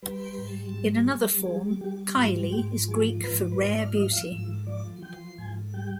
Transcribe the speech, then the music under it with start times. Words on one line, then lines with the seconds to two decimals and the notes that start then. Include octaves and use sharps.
In another form, "Kailey" is Greek for "rare beauty".
0.02 G3 B4
0.38 G#2
0.74 G3
1.10 G3
1.45 G3 G#4
1.81 G3 G4
2.17 G#2 F4
2.52 G#2 G4
2.88 F3 G#4
3.24 G#2 B4
3.52 B4
3.60 G#2 C5
3.78 D5
3.95 F3 D#5
4.13 F5
4.31 G#2
4.67 F3 D5
5.02 F3 G5
5.38 G#2 G#5
5.74 G3 G5